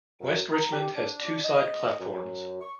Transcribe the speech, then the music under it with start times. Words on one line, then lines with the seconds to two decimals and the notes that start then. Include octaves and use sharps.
West Richmond has two side platforms.
0.21 F#2
0.53 A#5
0.71 G4
0.95 D4
1.23 D4
1.44 D#5
1.99 F#2
2.60 C#6